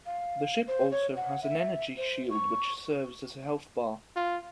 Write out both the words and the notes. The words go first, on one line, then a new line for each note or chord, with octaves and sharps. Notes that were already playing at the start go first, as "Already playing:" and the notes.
The ship also has an energy shield which serves as a health bar.
F5
C5
C#5
F#5
E5
C5
C#6
F4